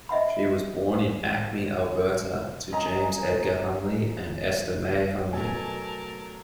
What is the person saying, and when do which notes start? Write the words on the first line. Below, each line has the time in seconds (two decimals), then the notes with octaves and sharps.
She was born in Acme, Alberta, to James Edgar Hunley and Esta May Hunley.
0.09 D#5 E5 F#5 B5
2.71 C#4 D#5 G#5 A#5
5.33 B2 F#3 A3 A#4 G#5 A5